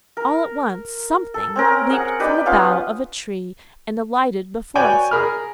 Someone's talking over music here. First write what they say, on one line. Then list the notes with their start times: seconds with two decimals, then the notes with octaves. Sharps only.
All at once--something--leaped from the bough of a tree and alighted before us.
0.17 A#4
1.34 A4
1.56 C4 C#4 A#4
1.90 G#4 F#5
2.20 D#4 G4 B4 D5
2.46 B3 C#4 F4 F5
4.75 F#4 B4 C#5 D5 G5 G#5
5.11 G#4 A#4 B5 F6